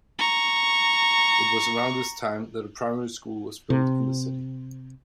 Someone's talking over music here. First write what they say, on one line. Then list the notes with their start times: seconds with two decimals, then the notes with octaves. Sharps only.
It was around this time that a primary school was built in the city.
0.19 A#5 C#6
3.70 C3